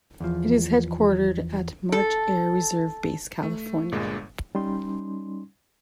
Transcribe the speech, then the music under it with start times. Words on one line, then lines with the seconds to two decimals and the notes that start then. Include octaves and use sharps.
It is headquartered at March Air Reserve Base, California.
0.20 E2 F3
1.92 A4
3.43 A3
3.92 G1 G2 A#2 G#3
4.55 G3 C#4 D#4 C6